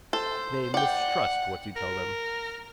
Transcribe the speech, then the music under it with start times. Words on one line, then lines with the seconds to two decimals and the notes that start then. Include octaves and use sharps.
They mistrust what you tell them.
0.13 A4 C5
0.74 D5 F#5 G5
1.76 A#4